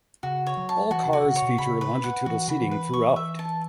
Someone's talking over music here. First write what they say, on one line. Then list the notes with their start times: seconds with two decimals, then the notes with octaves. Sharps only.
All cars feature longitudinal seating throughout.
0.23 C#3 F#4
0.46 C#5
0.57 F#3
0.69 A5
0.91 E3 F#4
1.08 C#3 F#4
1.24 C#3
1.36 C#5
1.42 B2
1.58 C#3 B5
1.81 B4
2.04 F#5
2.26 E3 F#4
2.48 C#3 B5
2.60 E3
2.71 B4
2.93 E3 C#6
3.16 E5
3.39 A5